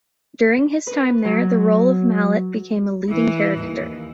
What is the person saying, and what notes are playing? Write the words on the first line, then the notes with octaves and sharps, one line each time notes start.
During his time there, the role of Mallet became a leading character.
B4
F#3
E3
D#2